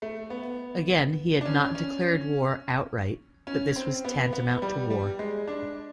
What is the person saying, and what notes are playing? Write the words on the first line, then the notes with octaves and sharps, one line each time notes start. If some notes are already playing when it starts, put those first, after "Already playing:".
Again, he had not declared war outright - but this was tantamount to war.
A3
B3
D4
C#4
C#4
C#4
C4
B3
B3
G3
G3
G#3
D4